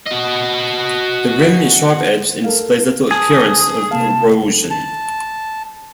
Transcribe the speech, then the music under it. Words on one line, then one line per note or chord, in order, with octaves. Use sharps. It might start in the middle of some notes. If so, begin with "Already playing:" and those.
The rim is sharp-edged and displays little appearance of erosion.
F#4 D#5
A4 A#4 F5
G#4 A5 D#6
C3 A#3 F5 A5
A5